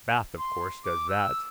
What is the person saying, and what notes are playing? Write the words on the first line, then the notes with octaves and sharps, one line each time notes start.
Bath of course does that.
C6
D6
E6